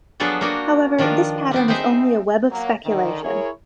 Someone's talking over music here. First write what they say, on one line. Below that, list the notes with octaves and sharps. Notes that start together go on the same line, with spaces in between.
However, this pattern is only a web of speculation.
F3 F#3 B3 D4 G#4 A4
A#3 D4 F#4 A#4 G5 G#5
D#3 F3 D4 F4 A#4 B4
G3 B3 C4
C4 D#4 G#4 C5 E5
F#3 A#3
D3 D#3
E4 G#4 A#4 C#5